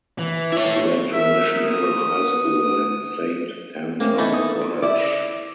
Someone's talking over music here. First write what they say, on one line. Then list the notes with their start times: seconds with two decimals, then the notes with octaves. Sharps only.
He went to Mission Hill High School and Saint Anselm College.
0.19 E3
0.52 E4 C#5
1.13 A#4 E5
1.55 D#6
2.24 B3
4.00 A3 A#3 C4 C#4
4.18 E3 D#4 A4 D#5 B5
4.34 D#6
4.82 E4 D5